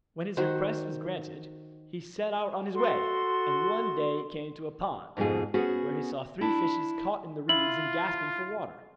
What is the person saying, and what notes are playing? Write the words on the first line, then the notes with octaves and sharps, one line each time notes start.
When his request was granted he set out on his way, and one day came to a pond, where he saw three fishes caught in the reeds and gasping for water.
D#3 F#4 C5
F#4 A4 C6
F2 G#2 B2 F4 G#4
B3 C#4 F#4 G#4 C5
D4 E4
E4 F4 F#7